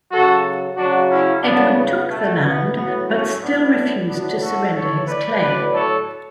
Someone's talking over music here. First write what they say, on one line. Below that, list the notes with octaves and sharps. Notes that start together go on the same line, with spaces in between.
Edward took the land but still refused to surrender his claim.
C#3 F#3 F#4 A4
C#3 F#3 D4 F#4
C#4 E4
C#3 E3 B3 D4
B3
B2 F#3 A3
B3
A2 F#3 B3
A3 C#4
A2 E3 B3 D4
A2 F#3 B3 D4
F#4 A4
A2 E3 A4 C#5
B4 D5
A2 F#3 B4 D5
A4 C#5